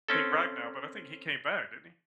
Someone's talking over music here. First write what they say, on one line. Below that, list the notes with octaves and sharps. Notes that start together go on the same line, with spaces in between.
I think Ragnow, but I think he came back, didn't he?
C4 C#4 A4